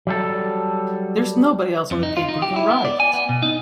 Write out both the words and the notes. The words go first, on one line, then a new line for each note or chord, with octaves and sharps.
There's nobody else on the paper who can write!
F#3 G3 A4
F2
D#4
F4
D#4
G4
E4
B3
D5
G#5
B3
B2
D#4